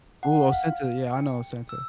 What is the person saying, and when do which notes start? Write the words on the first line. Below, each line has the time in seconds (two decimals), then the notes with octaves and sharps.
Ooh, ohsxnta, yeah, I know ohsxnta.
0.23 F#5
0.52 F5
1.13 G5
1.69 E6